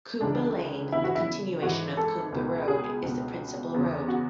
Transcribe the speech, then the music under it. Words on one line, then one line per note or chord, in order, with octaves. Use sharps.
Coombe Lane, the continuation of Coombe Road, is the principal road.
C#2 C#3 E3 D4
E2 C#3 E3 E4
F#4
E4
G#1 G#2 E3 F#4
A4
C#2 B2
G#4
C#2 B2
E2 C#3 E3
F#4